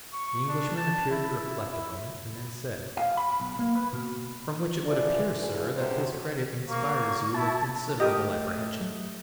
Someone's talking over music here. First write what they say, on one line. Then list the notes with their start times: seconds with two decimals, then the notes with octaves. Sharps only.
The Englishman appeared to reflect a moment, and then said,--"From which it would appear, sir, that this credit inspires you with considerable apprehension?"
0.13 C#6
0.48 D4
0.77 A5
1.11 E4
1.72 E4
2.97 F5
3.17 B5
3.40 B1
3.59 A#3
3.75 B4
3.93 B2
4.85 E3 F3 D5
5.37 D2 E4 G#4
5.75 D2 C3 F#3 C5
6.68 A#3 C#6
7.34 E4 A5
8.00 A3 G4 A#4 D#5 D#6